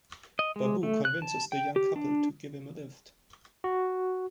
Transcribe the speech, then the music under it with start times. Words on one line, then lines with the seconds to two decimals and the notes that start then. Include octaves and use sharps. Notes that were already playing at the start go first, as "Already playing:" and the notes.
Babu convinces the young couple to give him a lift.
0.39 D#5
0.56 G#3
0.83 A3
1.05 F#6
1.22 A5
1.52 G5
1.76 G4
1.96 D4
3.64 F#4